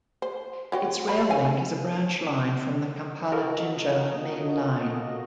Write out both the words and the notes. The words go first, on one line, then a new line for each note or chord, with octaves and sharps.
Its rail link is a branch line from the Kampala-Jinja main line.
C5
C4 F#4 C#5
F#3 B5
C#4 F5 G#5
F4 F#4 A4 A#4 D#5 F5